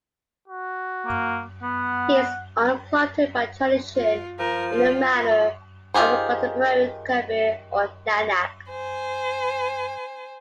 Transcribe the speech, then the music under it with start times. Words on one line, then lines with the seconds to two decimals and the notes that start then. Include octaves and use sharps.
He is uncluttered by tradition in the manner of a contemporary Kabir or Nanak.
0.48 F#4
1.07 A#3
1.63 B3 F#5
3.95 F4
4.39 F3 A#4
4.73 F4
5.14 F4
5.94 D#3 F4 G4 G#4 C5
8.69 C5 G#5